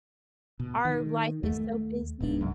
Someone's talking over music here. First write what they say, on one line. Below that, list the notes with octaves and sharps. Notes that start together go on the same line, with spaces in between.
our life is so busy,
B2
D#3
D#2 A3
D1 A#1 G#2 D4
C2 F#2